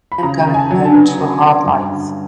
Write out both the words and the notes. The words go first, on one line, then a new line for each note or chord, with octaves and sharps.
I am going home to a hard life.
B5
C#3 A#5
C#3
G#5
A5
F#3
A5
B3 G#5
C#3
B3
G2
D3